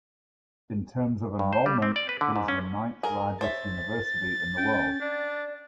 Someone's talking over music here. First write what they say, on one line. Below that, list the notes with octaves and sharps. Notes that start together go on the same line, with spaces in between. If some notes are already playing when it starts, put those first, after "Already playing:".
In terms of enrollment, it is the ninth largest university in the world.
G2
C5
G3
C4
D5
B4
D3
G#2
C#4
G#4 A#4
C5 C#5 E5 A6
C#4 G5
D4 D5